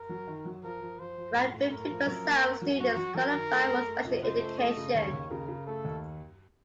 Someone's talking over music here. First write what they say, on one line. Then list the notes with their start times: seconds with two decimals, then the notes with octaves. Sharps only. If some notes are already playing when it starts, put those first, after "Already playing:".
About fifty percent of students qualify for special education.
Already playing: A#4
0.09 F#3
0.27 D#3
0.45 F#3
0.63 F3 A#4
0.81 F3
0.99 F3 C5
1.18 F3
1.35 A2
1.53 A2
1.71 A2 A#4
1.89 F3
2.07 F#2
2.25 A#3
2.43 A#3
2.62 F#3
2.79 F#2 F#4
2.97 F#3
3.15 F#3 A#4
3.33 D#3
3.51 A3
3.69 A3
3.87 A3
4.04 C#2
4.23 C#2 C5
4.40 A3
4.58 A3 D#5
4.77 C#3
4.95 D#2 C#5
5.13 D#2
5.30 C#3 A#4
5.48 C#3
5.67 A3 A4
5.85 D#2